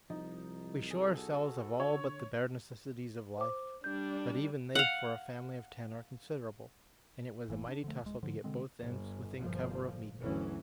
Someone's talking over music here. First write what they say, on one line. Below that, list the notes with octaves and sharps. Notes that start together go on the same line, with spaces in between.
We shore ourselves of all but the bare necessaries of life, but even they for a family of ten are considerable, and it was a mighty tussle to get both ends within cover of meeting.
C2 F3 D#4
F#4 G#4 A4
D3 C#5
C5 D6
G3 D4 G6
F5 F#5
F#1 E3 A#3
D4
D3 F3 A3
D1 G#3
G#2 D3 F3
B2 D3 G#3 C4
G1
G1 A#2 F3
G1 D2 E3 F#3 C#4